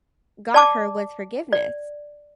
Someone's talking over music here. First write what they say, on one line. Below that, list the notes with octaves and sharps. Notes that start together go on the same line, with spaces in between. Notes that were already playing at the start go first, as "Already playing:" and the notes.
got her was forgiveness.
D5 A5 D6
D5